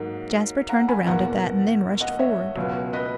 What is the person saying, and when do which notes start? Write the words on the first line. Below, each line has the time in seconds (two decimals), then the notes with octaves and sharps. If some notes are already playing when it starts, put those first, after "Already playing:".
Jasper turned around at that--and then rushed forward.
Already playing: G#2 F#3 A#3
0.69 F#5 A#5
0.88 G#5 B5
1.07 E2 B2 A#3 F#5 A#5
2.01 D#5 F#5
2.19 C#5 E5
2.56 C#2 B2 F#3
2.93 B4 D#5